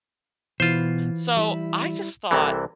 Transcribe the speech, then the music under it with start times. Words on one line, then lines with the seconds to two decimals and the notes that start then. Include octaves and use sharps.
so I just thought
0.60 B2 E3 F4 C5
1.37 G3 E4
2.31 C2 C3 E3 A4